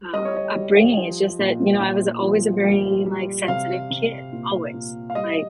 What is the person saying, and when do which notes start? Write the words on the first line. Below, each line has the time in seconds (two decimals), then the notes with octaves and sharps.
uh, upbringing, it's just that, you know, I was always a very, like, sensitive kid, always, like
0.13 G3 D#5
0.25 C#5
0.37 D#5
0.56 G3
0.97 F3
1.39 A#2
1.80 A#2
2.22 F3
2.64 G3
3.06 G3
3.48 C3 F5
3.90 C3
4.32 A#2
4.74 A#2
5.10 F5
5.15 G3 D#5